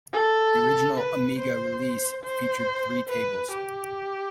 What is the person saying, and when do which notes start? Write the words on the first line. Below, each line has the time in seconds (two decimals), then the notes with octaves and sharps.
The original Amiga release featured three tables.
0.13 A4
0.97 B4
1.39 C5
2.24 C5
3.09 B4
3.51 G4